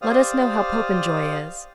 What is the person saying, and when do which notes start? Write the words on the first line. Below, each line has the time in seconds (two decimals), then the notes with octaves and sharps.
"Let us know how Popenjoy is."
0.02 G4 C5 D5 F5 D#6 F6